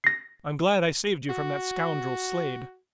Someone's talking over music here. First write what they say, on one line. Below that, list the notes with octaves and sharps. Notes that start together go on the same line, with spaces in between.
I'm glad I saved you from that scoundrel, Slade.
A#6 C7
F#4